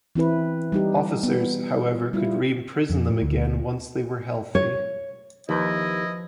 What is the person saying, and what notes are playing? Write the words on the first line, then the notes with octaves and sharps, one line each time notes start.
Officers, however, could re-imprison them again once they were healthy.
E3 C4 E4 B4
G3 D#4 G4
B3
G3 E4 F4
F2
A2
D2
C#5
D#2 F3 E4 B4 D#5 G6